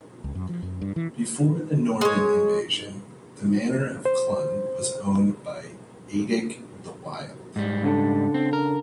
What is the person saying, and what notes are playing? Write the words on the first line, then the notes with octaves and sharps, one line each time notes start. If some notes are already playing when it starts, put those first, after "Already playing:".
Before the Norman invasion, the manor of Clun was owned by Eadric the Wild.
C#2
F#2
F3
F#2
G2
E3
G#3 C#5
C5
G#2 G3
C#3 D4 A4
C4
A#4